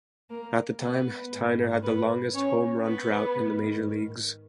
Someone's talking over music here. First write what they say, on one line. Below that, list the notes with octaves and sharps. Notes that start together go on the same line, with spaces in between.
At the time, Tyner had the longest home run drought in the major leagues.
A#3 A#4
B3 B4
G#2 D#3
B3 B4
C#4 C#5
B3 B4
G#2 D#3